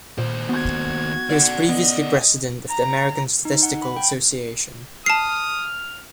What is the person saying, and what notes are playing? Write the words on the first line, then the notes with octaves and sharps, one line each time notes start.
He was previously president of the American Statistical Association.
D#2 A#2 C5
B3 F#4 G#6
D5 F#5
B3 D#5
A#5
D#4
F#5
B5
G5
A5 D#6 F6 C7